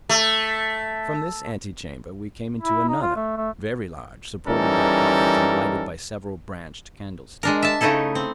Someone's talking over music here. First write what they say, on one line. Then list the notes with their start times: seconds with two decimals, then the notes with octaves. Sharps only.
From this antechamber we came into another, very large, supported by columns, and lighted by several branched candlesticks.
0.09 A3
2.61 E4
2.89 D#4
3.02 F4
3.16 A3
3.37 A3
4.48 E3 G3 C#4 D#4 A4 A#4
7.43 G#3 D4 A#4
7.63 E5 A5
7.81 C#3 A3 D#4 E4 A4
8.15 C4